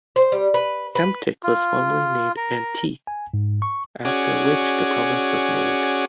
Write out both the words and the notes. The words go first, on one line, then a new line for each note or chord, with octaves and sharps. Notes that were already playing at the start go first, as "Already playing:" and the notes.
Hamtic was formerly named "Antique", after which the province was named.
C5
G3
B4
B4
F4
A#4
G#5
G#2
C#6
C#4 F#4 G#4 D5